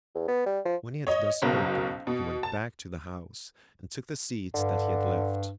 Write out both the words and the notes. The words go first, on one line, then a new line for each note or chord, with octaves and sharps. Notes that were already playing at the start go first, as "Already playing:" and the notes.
When he had thus spoken, he went back to the house and took the seat that he had left.
E2
B3
G3
F3
C#5 D#5
F#1 B1 B2 A#4
B2
A5
G2 D3